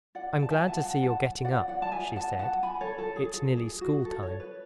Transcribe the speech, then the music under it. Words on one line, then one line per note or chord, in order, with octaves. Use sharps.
"I'm glad to see you're getting up," she said; "it's nearly school-time."
D5 F#5
A5
E5 G#5
F#5 A5
F#5 A5
F#5 A5
D5 F#5
D5 F#5
A5
E5 G#5
F#5 A5
F#5 A5
G#5 B5
A4 C#5
A4
G#4
A4
G#4
F#4
A4
A4 C#5
B4